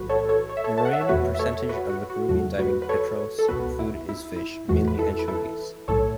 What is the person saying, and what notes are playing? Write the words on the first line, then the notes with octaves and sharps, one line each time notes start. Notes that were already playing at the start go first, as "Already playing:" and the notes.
The remaining percentage of the Peruvian diving petrels food is fish, mainly anchovies.
Already playing: B1 A2 E3 F#4 B4
A4 C#5
A4 C#5
C#5
E5
A4 C#5
A5
F#5
E5
C#5
E2 B2 A3 F#4 B4
E5
A4 C#5
F#4 B4
F#4
F#4
E2 C#3 F#3 A3 F#4
F#4 B4
B4
A4 C#5
A4
C#2 B2 B3 F#4 B4
E4
E4
E4
E2 E3 A3 F#4
B4
E4 A4
B4
E4 A4
B1 A2 A3 A4 C#5